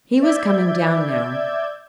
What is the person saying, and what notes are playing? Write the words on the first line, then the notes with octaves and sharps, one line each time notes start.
He was coming down now.
D5 E5 G6 G#6